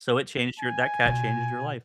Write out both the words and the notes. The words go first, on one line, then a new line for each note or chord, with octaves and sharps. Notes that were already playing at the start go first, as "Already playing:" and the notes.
So it changed your That cat changed your life.
G#5
B2 F4